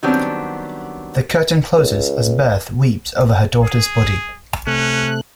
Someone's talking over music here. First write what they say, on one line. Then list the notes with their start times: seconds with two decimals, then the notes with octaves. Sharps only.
The curtain closes as Berthe weeps over her daughter's body.
0.03 D#3 F#3 G3 B3 C4 D4
1.78 C#2
3.63 G#4
4.67 C3 A3 C#4 F#6